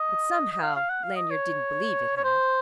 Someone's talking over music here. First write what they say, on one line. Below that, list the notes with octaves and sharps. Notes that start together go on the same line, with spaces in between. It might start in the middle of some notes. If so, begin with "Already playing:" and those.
But somehow Lanyard didn't believe it had.
Already playing: D#5
D#5
F5
F5
F#5
F5
D#5
C#5
C#5
C5